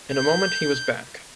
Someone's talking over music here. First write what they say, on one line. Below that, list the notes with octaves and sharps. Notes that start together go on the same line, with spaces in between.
In a moment he was back.
G6